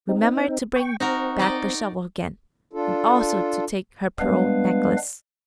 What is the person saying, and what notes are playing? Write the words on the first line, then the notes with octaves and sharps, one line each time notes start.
Remember to bring back the shovel again, and also to take her pearl necklace.
C4 D#4
G5 C#6
C4 D#4 F#4 A#4
D#4 D5 D#5
D4 F4 A4
G3 G#3 B3 D4 B4 F5